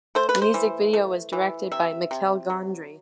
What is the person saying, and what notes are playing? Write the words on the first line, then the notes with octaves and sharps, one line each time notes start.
The music video was directed by Michel Gondry.
A3 C5
B4
C5
E3
A3
E3
C3 E5
C3
F#3